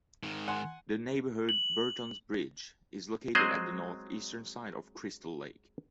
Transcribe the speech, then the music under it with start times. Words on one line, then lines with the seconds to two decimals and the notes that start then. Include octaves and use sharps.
The neighborhood Burtons Bridge is located at the north-eastern side of Crystal Lake.
0.23 G#2 D#3
0.48 F#5 G#5 C6
1.49 F#7
3.35 F#3 G#3 C4 G#4 C5 D#5